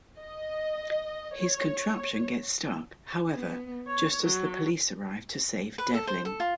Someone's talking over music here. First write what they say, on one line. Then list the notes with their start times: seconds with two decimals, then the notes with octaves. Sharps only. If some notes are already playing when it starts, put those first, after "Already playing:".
His contraption gets stuck, however, just as the police arrive to save Devlin.
0.19 D#5
1.36 C#5
3.34 B3
3.87 C#5
4.22 F#3
5.78 B4
5.94 A4
6.07 C5
6.25 A4
6.40 F4